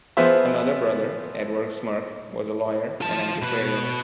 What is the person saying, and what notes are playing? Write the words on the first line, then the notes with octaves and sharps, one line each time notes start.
Another brother, Edward Smirke, was a lawyer and antiquarian.
F3 B3 G#4 C5 E5
F4 A5
B2 B4